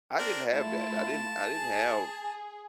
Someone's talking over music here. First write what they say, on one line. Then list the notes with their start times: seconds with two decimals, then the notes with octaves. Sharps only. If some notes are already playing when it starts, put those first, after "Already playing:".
I didn't have that I didn't I didn't have
0.19 C4 D4 A#4
0.52 A3 E4 F4 A5
1.46 G#4